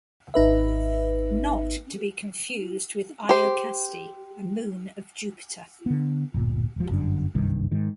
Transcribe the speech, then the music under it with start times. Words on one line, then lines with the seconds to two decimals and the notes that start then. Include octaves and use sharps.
Not to be confused with Iocaste, a moon of Jupiter.
0.34 G#1 D#4 B4 E5
3.29 G4 C5
5.86 D3 B3
6.34 D1 G1 A#2
6.76 E1 F3
6.89 G1 F#2 D3
7.34 F#1 C2 G2 D#3
7.72 G#2 D#3